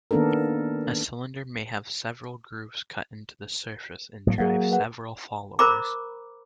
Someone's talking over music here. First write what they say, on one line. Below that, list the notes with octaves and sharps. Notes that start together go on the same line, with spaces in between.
A cylinder may have several grooves cut into the surface and drive several followers.
D#3 A#3 B3 D4 A4 A#4
A2 F#3 A#3
F#3 A#3 G#4 A#4 F#5
B4 F#5
A#4 C5 A#5 B5 D6